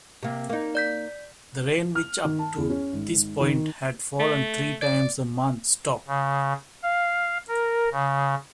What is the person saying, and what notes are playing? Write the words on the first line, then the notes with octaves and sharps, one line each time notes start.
The rain which, up to this point, had fallen three times a month, stopped.
C3 A#3
A#3 D#4
D5 G6 B6
F6
D#3
A5
E2
C#4
G#1
D#3
A3
D5
C#3
F5
A#4
C#3